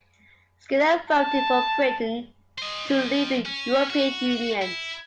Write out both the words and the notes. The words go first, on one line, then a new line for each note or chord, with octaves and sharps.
Skinner voted for Britain to leave the European Union.
A5
C5 D#5
F2 F3
C#4
F#4
E4